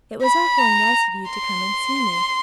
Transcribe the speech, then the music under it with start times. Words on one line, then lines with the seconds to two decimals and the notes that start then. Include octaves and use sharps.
"It was awfully nice of you to come and see me."
0.22 B5
0.58 A#5
1.31 C6